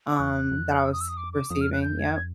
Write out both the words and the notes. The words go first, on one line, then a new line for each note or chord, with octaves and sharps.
um, that I was receiving. Yep.
E2 F#6
F2
E6
D#6
E6
D#6
D6
D6
F2 D#6
F6
F#6
G6
G#6
G#6